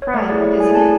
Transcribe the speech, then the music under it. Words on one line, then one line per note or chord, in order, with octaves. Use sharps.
Prime, isn't it?
C#5
A3 D5
E4 G#4 D5
A3 D5
E4 G#4 G#5
A3 A5